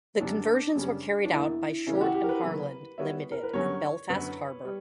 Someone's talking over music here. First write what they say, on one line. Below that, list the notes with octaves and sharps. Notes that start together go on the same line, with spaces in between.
The conversions were carried out by Short and Harland Limited at Belfast Harbour.
F#2 D3 G3 D4
F#2 C#3 G3 C#4
D4
E2 B2 A#3 E4
C#3 E3 A#3 C#4 E4
G4
F#4
G4
A#4
B4
C#3 F#3 A#3 C#4
G3 B3 F#4 C#5 E5
A#4
B4
G2 D3 F#3 C#4 C#5
F#2 D3 F#3 B4
G3